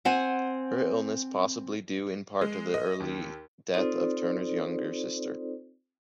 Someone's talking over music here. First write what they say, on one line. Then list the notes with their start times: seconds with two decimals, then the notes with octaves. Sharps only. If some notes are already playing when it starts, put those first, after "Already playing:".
Her illness possibly due in part to the early death of Turner's younger sister.
0.05 C4 C5 F#5 G#5
2.41 G#3
2.74 D#5
3.00 D#2
3.74 C4 D#4 F4 A4 C5 D5